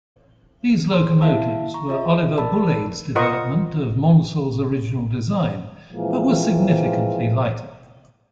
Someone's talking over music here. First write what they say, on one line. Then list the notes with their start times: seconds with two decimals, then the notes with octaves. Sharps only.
These locomotives were Oliver Bulleid's development of Maunsell's original design, but were significantly lighter.
0.93 G#4 C5 C6
1.22 A#3 E4 E5 F5 A5
1.74 A#5 C#6
1.89 F4 G#4 D#5 E5
2.38 A#4 D5 A5 B5 E6
3.15 F4 A#4 C5 D#5 F#5 C#6
5.92 A#2 E3 F3 G#3 A#3 C4